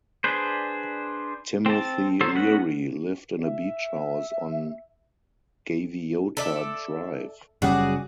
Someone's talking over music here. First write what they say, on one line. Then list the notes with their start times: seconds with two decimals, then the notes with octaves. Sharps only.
Timothy Leary lived in a beach house on Gaviota Drive.
0.24 D4 G#4 B4 C5
1.66 C4 A5
2.21 F#3 A4 C5
2.35 A3 B3 C#4 F#4 F#5
3.45 E5
6.37 A4 D5 E5
7.62 F#1 C#3 G3 F#4 G#4 D5